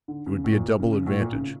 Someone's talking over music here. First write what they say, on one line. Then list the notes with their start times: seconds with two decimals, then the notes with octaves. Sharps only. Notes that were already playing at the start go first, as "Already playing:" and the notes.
It would be a double advantage.
0.08 D3
0.26 C#3
0.44 A2
0.53 A#2
0.80 C#3
0.93 C#3
1.06 A2
1.20 A#2
1.33 C#3